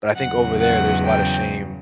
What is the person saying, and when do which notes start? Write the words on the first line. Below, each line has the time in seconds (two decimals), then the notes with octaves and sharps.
but I think over there, there's a lotta shame
0.16 E2 C#3 F#3 F#5
0.62 F#5
1.06 G5